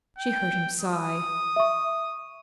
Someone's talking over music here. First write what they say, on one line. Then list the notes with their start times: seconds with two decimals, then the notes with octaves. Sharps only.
She heard him sigh.
0.18 G5
0.81 D#6
1.56 E5 C#6